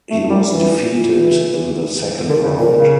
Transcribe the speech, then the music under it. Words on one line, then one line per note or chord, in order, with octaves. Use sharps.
He was defeated in the second round.
A3
E4
G3
E3 D4
E4
E4
F4
E3
D3 A#4
C#3
A#2 A#4
C#3